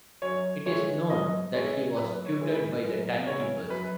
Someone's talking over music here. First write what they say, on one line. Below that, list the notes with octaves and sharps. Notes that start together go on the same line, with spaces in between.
It is known that he was tutored by the Time-Keepers.
F#2 C#5
E3 G#3 C#5
F#2 D#5
E3 G#3 C#5
F#2 B4
C#5
E3 G#3
B4
F#2
C#3 E3 G#3 C#5
F#2 B4